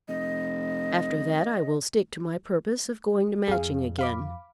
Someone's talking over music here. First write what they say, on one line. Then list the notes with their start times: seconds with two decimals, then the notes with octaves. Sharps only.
After that I will stick to my purpose of going to Matching again.
0.08 F1 D#5
3.48 F2 G#4 F5
3.99 F5 B5 D6